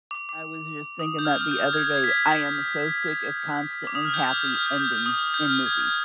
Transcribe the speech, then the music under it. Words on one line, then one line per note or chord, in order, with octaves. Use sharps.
I was just thinking that the other day, that I am so sick of constantly happy endings in movies.
D6
D6
D#6
G6
F6
F6
G6
G#6
G6
G#6
B6
G#6
D6
D#6
F6
G6
G6
F6
G6
G6
F6
D#6
D#6
G6
F6
G#6
G6